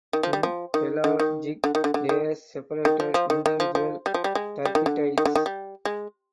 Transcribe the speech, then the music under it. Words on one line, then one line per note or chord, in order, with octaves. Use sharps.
Thin pelagic layers separated individual turbidites.
D#3
F3
G3
F3
D#3
D3
D#3
D3
D#3
D3
D3
D#3
D#3
F3
F3
D#3
D#3
F3
F3
G3
F3
G3
G#3
G3
D#3
D3
D#3
D3
D#3
G3
G#3